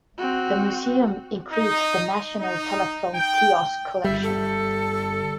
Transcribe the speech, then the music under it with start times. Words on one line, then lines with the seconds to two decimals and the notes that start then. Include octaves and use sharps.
This museum includes the National telephone kiosk Collection.
0.18 C4 F#4
1.52 D#4
2.40 D#4
3.15 G5
4.04 G1 G3 E5
4.23 A4